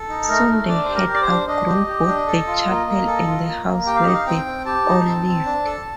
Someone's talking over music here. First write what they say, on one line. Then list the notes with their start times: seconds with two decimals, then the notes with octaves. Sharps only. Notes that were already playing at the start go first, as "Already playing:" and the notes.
Soon they had outgrown both the chapel and the house where they all lived.
Already playing: A4
0.09 D#4
0.28 A3 A#4
0.48 A3
0.68 D4 D5
0.84 G4 C5
0.95 A#4
1.08 G4
1.15 D5
1.21 C5
1.28 D4
1.47 D4 D#5
1.68 G4
1.87 G4
2.07 D4
2.27 A4
2.47 F4
2.67 A#3
2.87 A#3
3.07 A4
3.27 F4
3.46 A#3
3.66 A#3
3.86 G4 G5
3.96 F5
4.05 D#4 D#5
4.14 F5
4.26 C4 G5
4.46 C4
4.66 G4 A5
4.85 D#4
5.06 C4
5.26 C4
5.46 D4
5.65 A4